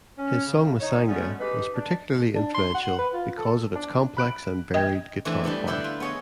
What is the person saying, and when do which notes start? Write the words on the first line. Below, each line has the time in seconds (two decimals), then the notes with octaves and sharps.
His song "Masanga" was particularly influential, because of its complex and varied guitar part.
0.18 C#4
0.47 C#3
0.80 D#4 C#5
1.08 D3 F#3 G3 A3 B3 C#4
1.40 G#3 D#4 G4 B4
1.74 D4
2.35 D4
2.54 C6
2.75 F#5
2.98 B4
3.13 F4
3.38 A4
3.75 D4
4.17 B5 F#6 D7
4.74 D#5 G5 G#6
5.25 E3 A3 C4 D4
5.44 G3 A3 B3 D4
5.67 D3 D4 E4 G4 F#5 G5
5.84 F4
6.00 B3 G#4 C#5 D#5 E5